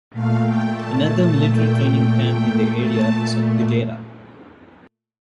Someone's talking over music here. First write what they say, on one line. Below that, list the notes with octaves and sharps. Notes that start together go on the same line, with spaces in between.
Another military training camp in the area is at Guedera.
A#2 A3 F5
G5
A5
A5
G5
A5